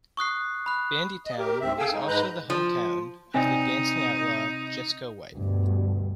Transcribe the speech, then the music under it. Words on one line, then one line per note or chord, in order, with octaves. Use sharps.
Bandytown is also the hometown of the "Dancing Outlaw" Jesco White.
C#6 D#6 F#6 C7
B5 F#6
D#5
G4 A#4
D2 G#2 C4 E5
G#4 A4 F5 G5 G#5 E6
G#3 D#4
G#2 G#3 B4 A#5 F#6 G6
F3
C3 C4 D#4 D5 G5 G#5
D2 G2 B2